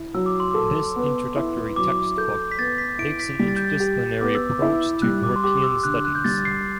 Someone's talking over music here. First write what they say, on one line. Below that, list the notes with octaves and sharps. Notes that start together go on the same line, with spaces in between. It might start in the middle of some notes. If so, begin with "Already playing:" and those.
This introductory textbook takes an interdisciplinary approach to European studies.
Already playing: E4
F#3 E6
D6
C6
A4 D6
B3
E4
F#3 D6
A4 G6
B6
B3 A6
B6
E4 D7
B6
G3 B6
A6
G6
A6
G4
B3 D6
E6
D6
E4
G3 F#6
D6
C6
G4 D6
D6
E6
D3 F#6
F#6
G6
G3 A6
C7